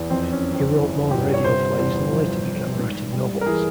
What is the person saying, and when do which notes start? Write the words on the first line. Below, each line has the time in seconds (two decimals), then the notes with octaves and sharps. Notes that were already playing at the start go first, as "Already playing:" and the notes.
He wrote more radio plays and later began writing novels.
Already playing: E2
0.10 F2 C4
0.33 C#4
0.44 G1
0.55 C4
0.77 C#3 E4
1.11 G1 G4
1.34 C#5
1.44 C3 C5
1.78 E2 C5
2.12 F3
2.46 E2
2.79 G#2
3.13 G3
3.41 A#4
3.46 E3 G#4